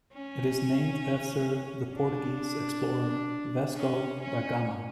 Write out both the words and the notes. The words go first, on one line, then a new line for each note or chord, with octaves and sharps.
It is named after the Portuguese explorer Vasco da Gama.
C#4
D4
C#4
C#4